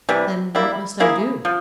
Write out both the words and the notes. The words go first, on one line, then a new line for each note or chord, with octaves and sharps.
'Then what must I do?'
C3 E3 G3
G3 A#3 E4
A#3 E4 G#4
F3